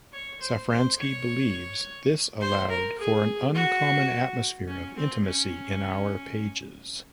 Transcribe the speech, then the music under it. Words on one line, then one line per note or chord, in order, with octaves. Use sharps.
Safransky believes this allowed for an uncommon atmosphere of intimacy in our pages.
C#5
C5
C5
C#5
C5
A#4
G#4
F#4
C#4
C4
C#4